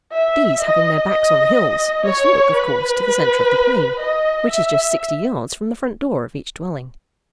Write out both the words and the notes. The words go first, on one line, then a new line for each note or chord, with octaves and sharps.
These, having their backs on the hills, must look, of course, to the centre of the plain, which is just sixty yards from the front door of each dwelling.
E5
D#5
D#5
C#5
B4
D#5
E5